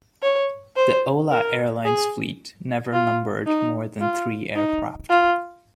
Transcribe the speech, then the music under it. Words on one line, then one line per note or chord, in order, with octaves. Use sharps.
The Hola Airlines fleet never numbered more than three aircraft.
C#5
C5
A#4
G#4
F4
D#4
F4
D#4
F4